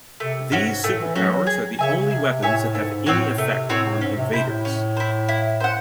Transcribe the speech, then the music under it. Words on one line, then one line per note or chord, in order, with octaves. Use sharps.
These superpowers are the only weapons that have any effect on Invaders.
C3 A3
G#2 C#4 F#4
A2 A3
E3
F#3 C#4 F#4
F#3
G#4
C#3 C#5 E5 G#5
C#3
C3 G#4
A2 C#5 E5 G#5
G#2 A3
A2 C4 F#4 C#5
C3 A3
A2 C4 F#4 C#5
G#2 C#4
C3
C3 E4 C5
A2
C#4
E4 C5
E4
C5 F#5